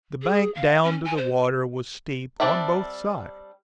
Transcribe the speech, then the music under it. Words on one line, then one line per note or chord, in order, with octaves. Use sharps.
The bank down to the water was steep on both sides.
G#4
F5
C#4
G#5
C5
G3 C4 D4 A4 E5